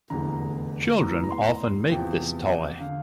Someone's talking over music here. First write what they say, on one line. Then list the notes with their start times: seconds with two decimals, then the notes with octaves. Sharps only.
Children often make this toy.
0.10 F1 E2 D3 A#5
1.00 F1 E2 E3 A#5
1.24 A#5
1.30 C6
1.90 E2 C3 F3 G5
2.80 D3 F5